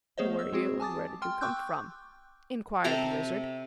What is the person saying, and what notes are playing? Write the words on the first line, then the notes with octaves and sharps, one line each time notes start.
"Who are you, and where did you come from?" inquired the Wizard.
A3 B3 G#4 C5 C#5 D#5
E6
G#3 C4 F#4 G#4
G#5 A5 D6 D#6 A6
G5 C6 F6
G5 C#6 D6 E6 F#6 G6
C3 A4 G5 A#5